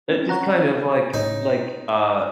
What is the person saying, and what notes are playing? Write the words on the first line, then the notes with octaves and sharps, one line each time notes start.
It just kind of, like like, uh
C4 C#4
C#5 F#5 A#5
A2 C#3 D#4 C#5